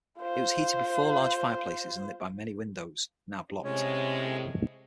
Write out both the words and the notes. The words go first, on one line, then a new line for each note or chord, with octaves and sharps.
It was heated with four large fireplaces and lit by many windows, now blocked.
F4 C5
A2 C3 G#3 C#4 C#5